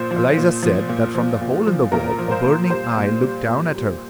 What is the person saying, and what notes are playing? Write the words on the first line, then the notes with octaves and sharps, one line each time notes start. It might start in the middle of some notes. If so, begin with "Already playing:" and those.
"Eliza said that from the hole in the wall a burning eye looked down at her!"
Already playing: A#2 F3 C5
F3
A#2
F3
A#2
F3
A#2
F3
A#2 A#4
F3
C5
A#2
G3 C5
A#2
G3
A#2
G3